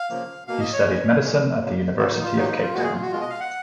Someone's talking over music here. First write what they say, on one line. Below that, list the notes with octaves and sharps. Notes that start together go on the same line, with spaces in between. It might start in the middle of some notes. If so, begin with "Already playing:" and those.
He studied medicine at the University of Cape Town.
Already playing: F5
C#3 F3 A#3
B2 A#3 F5
D#5
C#5
A#2 G#3
A#2 G#3
C#3 F#3 A#3
D#3 F#3 A#3 F#4
D#4
F4
D#3 F#3 A#3 D#4
D#4
F4
A#2 G#3 F#4
G#4
F4
F#4
B2 G#3 F4
D#5
F5
F#5